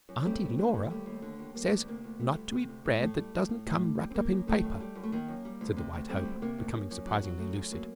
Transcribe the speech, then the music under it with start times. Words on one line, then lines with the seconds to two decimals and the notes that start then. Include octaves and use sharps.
"Aunty Lora says not to eat bread that doesn't come wrapped up in paper," said the White Hope, becoming surprisingly lucid.
0.09 F#2
0.25 G3 A3 C4
0.42 D#2
0.59 D3
0.74 D#2
0.90 G3 A3
1.06 D#2
1.22 D3
1.39 D#2
1.55 G3 A#3
1.72 D2
1.88 C3 A#3
2.04 D2
2.20 G3 A3
2.36 D2
2.52 C3
2.69 D2
2.84 A2 A3
3.01 A2 A3
3.17 G3
3.34 G3
3.50 A2
3.67 A2
3.82 G3
3.98 G3
4.11 C4
4.14 G3 A#3
4.31 F#2
4.47 D#3 A3
4.64 F#2
4.80 G3
4.95 F#2
5.03 A3
5.12 D#3 A#3
5.28 F#2
5.45 G3
5.61 D2
5.77 C3
5.93 D2
6.09 G3 A3 C4
6.25 D2
6.42 C3 A#3
6.58 D2
6.75 F#2
6.91 F#2
7.06 F#3
7.24 F#3
7.39 F#2 A3
7.55 F#2
7.72 F#3 A#3